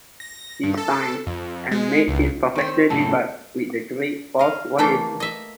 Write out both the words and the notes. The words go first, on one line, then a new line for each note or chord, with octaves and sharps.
He signed and made his professional debut with the Great Falls Voyagers.
A#6
G2
A4
F2
G#3
C#2
D#3 C4
F#2 A2 C#3 A4
D#5 F5
E3 A3 A#3 G5 A5
D#5 E5